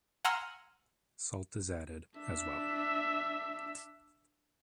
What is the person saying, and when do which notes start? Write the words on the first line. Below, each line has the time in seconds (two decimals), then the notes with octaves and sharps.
Salt is added, as well.
0.24 F#5 G#5 A#5 C6 E6 F6
2.20 D4 E5